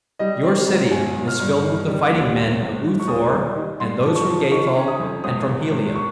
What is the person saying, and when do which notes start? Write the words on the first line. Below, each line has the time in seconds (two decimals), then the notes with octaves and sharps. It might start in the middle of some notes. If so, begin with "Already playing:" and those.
Your city is filled with the fighting men of U-Thor, and those from Gathol and from Helium.
0.19 G3 D#5
0.44 C4
0.68 G#2
0.91 G1 G#5
1.16 G1
1.28 F6
1.40 G2
1.63 D#3
1.88 G3
2.12 D#2
2.36 G#1
2.60 G#1
2.84 G#1
3.00 C#6
3.08 D#2 D#6
3.32 G3
3.56 D#3
3.80 G2 C6
4.04 F3
4.16 C#6
4.28 F3
4.52 D#3 C#6
4.76 C#4
4.88 D#6
5.00 F2
5.24 G#1 D#6
5.48 G#1
5.71 G#1
5.96 C#6